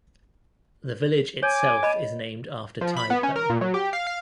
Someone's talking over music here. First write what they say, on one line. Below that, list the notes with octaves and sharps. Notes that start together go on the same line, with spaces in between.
The village itself is named after Tai Po.
C#5 G#5 D6
D#5 B5
F3
B5
B3
C#4
A#4
A#2
F#3
G4
F5
F5